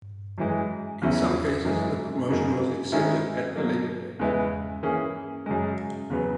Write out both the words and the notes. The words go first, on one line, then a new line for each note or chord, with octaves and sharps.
In some cases, the promotion was accepted at a later date.
F#2 E3 G#3
E2 C#3 F#3 C#4 E4
F#2 E3 G#3
F#2 C#3 F#3 A#3 D#4
D#3 G#3 C#4 E4
B2 F#3 A#3
E2 C#3 G#3 B3 E4
E3 A#3 C#4 G#4
F#2 C#3 G#3
E2 C#3 F#3 B3